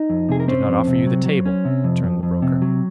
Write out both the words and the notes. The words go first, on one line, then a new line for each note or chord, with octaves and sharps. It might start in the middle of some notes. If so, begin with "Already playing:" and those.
"I did not offer you the table," returned the broker.
Already playing: D#4 D#5
F2
C3 G#4
A#4
C4 C#4 C5
F2
C3
F#3
F#3
C#4
C3
F2
F2
F2
C3
F#3